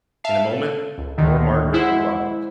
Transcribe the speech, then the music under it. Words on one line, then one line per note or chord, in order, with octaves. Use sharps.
In a moment more Margaret revived.
E5 F5 A5 C7
A4
C#2
D2 D3 D#3
G#3 E4 C5 F#5